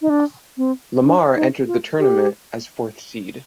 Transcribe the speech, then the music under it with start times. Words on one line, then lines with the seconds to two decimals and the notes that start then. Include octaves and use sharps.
Lamar entered the tournament as fourth seed.
0.02 D#4
0.10 D4
0.57 C4
1.04 D4
1.36 D#4
1.67 F4
1.99 G4